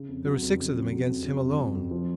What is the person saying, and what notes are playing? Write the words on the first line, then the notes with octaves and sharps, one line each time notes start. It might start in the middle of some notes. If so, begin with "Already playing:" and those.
There were six of them against him alone.
Already playing: C#3
F2
F#3
F2
C#3
F2
F#3
F2
C#3
F2
F#3
F2
F3